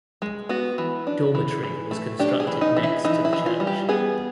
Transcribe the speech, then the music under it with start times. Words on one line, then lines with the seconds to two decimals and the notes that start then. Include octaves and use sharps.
Dormitory was constructed next to the church.
0.22 G#3
0.49 B3 F#4
0.78 E3
1.07 D4
1.35 E3
1.63 E3
1.91 A3
2.19 D4 G4
2.40 G#4
2.47 E3
2.61 D#4
2.76 E3
2.83 E4
3.05 E3 D#4
3.25 E4
3.33 E3
3.46 F4
3.60 G3
3.67 G4
3.89 B3 G#4